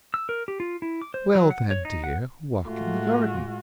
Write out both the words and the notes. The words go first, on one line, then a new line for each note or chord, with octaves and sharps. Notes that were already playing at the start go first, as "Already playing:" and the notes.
'Well then, dear, walk in the garden.'
E6
A#4
G4
F4
E4
D6
C5
F#3
F#5
C#5
D#4
F#5
A2 G#3 A3 F4 F#4